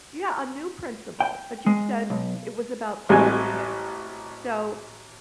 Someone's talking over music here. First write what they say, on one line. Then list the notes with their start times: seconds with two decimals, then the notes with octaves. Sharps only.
Yeah, a new principal, but you said it was about politics, so
1.20 G5
1.66 G#3
2.10 B1
3.09 A1 G3 G#3 C4 F#4 G#5